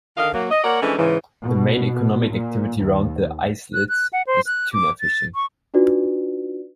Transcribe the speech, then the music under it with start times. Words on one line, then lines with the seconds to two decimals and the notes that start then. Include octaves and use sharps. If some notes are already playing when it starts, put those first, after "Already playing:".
The main economic activity around the islets is tuna fishing.
0.17 D3 D#3 A#4 D#5 F5
0.33 F#3 A#3
0.51 D#5
0.63 A#3 A#4 C#5 D5 F#5
0.82 E3 F3 G#3 A3 C#4 D4
0.97 G#2 C#3 E3
1.41 B2
2.30 A#2
2.79 D#2
3.74 F#6
3.89 F#6
4.13 F#5
4.27 C5
4.47 F#6
4.73 D6
5.01 A6
5.35 C#6
5.74 D4 D#4 F4 F#4 B4 D5